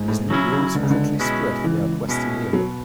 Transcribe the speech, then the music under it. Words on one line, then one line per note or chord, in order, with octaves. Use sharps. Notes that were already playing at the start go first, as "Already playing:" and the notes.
These new rules quickly spread throughout western Europe.
Already playing: G#2
A2
C#3 F#3 C#4 E4
C#3
C#2 D3
C#3
D3
B2 G#3 C#4 E4
C#2 E3
B2 G#3 C#4 E4
B2 F#3